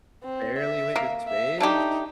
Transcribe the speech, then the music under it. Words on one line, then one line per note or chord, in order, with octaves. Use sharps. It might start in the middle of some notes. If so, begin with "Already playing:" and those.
barely went to space?
C4
E5
A#3
E5
A3 D4 D#4 G4